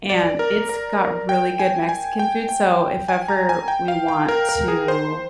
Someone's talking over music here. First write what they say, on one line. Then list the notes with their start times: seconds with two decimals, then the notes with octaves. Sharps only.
and it's got really good Mexican food, so if ever we want to
0.10 D5
0.39 A#4
0.69 A#4
1.29 G5
1.59 G#5
1.89 G#5
2.19 G5
2.49 G5
3.08 G#5
3.28 A#5
3.49 G#5
3.68 G5
3.88 F5
4.08 G5
4.29 A#4
4.49 A#4
4.68 G#4
4.88 C5